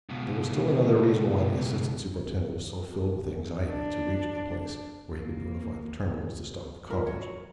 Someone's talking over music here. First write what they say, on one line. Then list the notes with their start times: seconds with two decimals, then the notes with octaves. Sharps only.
There was still another reason why the assistant superintendent was so filled with anxiety to reach a place where he could notify the terminals to stop the cars.
0.09 C#2 B2
3.68 D4
5.14 A#3
6.87 F#2 A#2 A#4
7.06 F#3 C#5